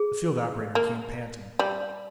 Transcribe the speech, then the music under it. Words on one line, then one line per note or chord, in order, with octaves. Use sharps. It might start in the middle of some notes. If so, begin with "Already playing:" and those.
The field operator came panting.
Already playing: G#4
A#3
G3